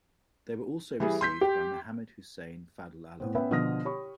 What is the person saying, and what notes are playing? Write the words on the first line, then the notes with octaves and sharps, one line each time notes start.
They were also received by Mohammad Hussein Fadlallah.
E3 G3 G#4
C6 G6 B6
G4
A2 B3 C4
B3 C#4 B4 E5 G5 B5
B2 D3 F3 D#6 F6 A#6
G4 C#5 B5 C#6